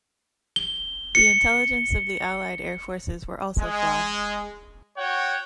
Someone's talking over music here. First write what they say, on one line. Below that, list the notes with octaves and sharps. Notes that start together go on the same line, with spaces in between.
The intelligence of the Allied Air Forces were also flawed.
G7
C#7
G#3
F#4 C#5 F#5 G5